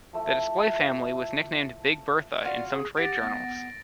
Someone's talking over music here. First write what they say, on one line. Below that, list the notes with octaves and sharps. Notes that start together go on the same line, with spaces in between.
The display family was nicknamed "Big Bertha" in some trade journals.
F3 A3 E4
F4 F#4 D5 F5
G#4
G4 F#5 A6 A#6 D7
B3